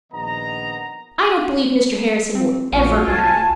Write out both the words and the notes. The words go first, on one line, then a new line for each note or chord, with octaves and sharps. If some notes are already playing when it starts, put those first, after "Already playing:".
I don't believe Mr. Harrison will ever marry.
A#1 D#3 B3 D#5 A#5
C4
A#1 A3 F4 F#4 D5 F5 C#6
C2 G#5 A5